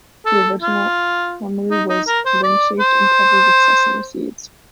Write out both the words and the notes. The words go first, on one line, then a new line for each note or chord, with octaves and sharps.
The original kumru was ring-shaped and covered with sesame seeds.
A4
F4
D#4
D#4
A#4
C5
D5
C5